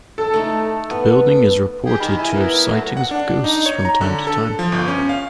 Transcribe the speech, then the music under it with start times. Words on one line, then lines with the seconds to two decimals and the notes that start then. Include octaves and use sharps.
The building is reported to have sightings of ghosts from time to time.
0.18 A4
0.34 A3 D#4
0.91 B3
1.85 G4 G#4
2.00 D#3 B5
2.18 E4 G#5
2.32 B3 E4 A#4
2.72 F#3 A3 F#4
2.97 F#5
3.11 D4
3.44 D#4
3.66 C#5
3.85 A#5
4.01 D3
4.27 A4
4.59 F3
4.72 G1
4.88 C#4
5.09 F5